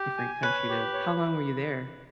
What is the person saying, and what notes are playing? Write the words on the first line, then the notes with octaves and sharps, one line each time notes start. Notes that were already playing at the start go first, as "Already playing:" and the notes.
different country to how long were you there
Already playing: G4
G#5
B4 C#5
G4
C#5